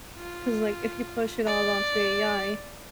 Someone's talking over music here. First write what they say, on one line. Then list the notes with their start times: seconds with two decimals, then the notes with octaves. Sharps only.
'cause like if you push it all onto AI
0.16 F4
1.46 D5